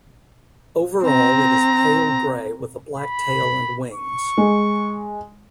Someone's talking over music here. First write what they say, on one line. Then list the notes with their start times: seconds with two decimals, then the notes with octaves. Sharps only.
Overall it is pale grey with a black tail and wings.
1.04 C4 A#5
2.99 B5
3.94 C#6
4.38 G#3